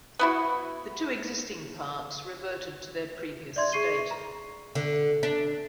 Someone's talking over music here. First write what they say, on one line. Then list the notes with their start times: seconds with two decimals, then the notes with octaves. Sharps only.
The two existing parks reverted to their previous state.
0.19 B3 E4 F#4
3.56 D5 E5 C6 G#6
3.72 G#4 C#6 C7 D#7 G7
4.11 A#5
4.75 D3
5.23 D4